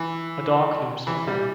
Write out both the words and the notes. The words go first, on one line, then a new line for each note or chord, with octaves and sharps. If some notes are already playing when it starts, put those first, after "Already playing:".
A dog leaps on a man.
Already playing: E3
E3
G3